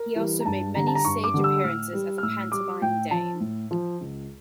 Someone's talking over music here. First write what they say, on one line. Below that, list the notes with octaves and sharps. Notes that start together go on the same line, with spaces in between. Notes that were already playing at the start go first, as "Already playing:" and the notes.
He also made many stage appearances as a pantomime dame.
Already playing: A#4
E3 G3
A#5
G2 A5
D3 G3 A#5
A5
A#5
G2 C#6
D6
D3 G3
E6
A2 F6
G3
F6
A2 E6
G3 D6
A2 G5
F3 A5
A2
F3
C#2